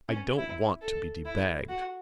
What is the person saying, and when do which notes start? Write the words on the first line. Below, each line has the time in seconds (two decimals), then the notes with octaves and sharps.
I don't want to be debagged!
0.09 C#4
0.37 E4
0.82 A4
1.26 E4
1.69 F#4